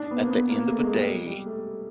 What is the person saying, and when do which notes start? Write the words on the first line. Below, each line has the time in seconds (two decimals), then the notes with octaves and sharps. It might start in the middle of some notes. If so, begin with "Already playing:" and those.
at the end of a day
Already playing: D4 D#4
0.11 B3
0.17 A#3
0.26 C4
0.30 B3
0.49 A#3
0.69 A3
0.82 G#3
0.94 G3
1.26 G3
1.46 A3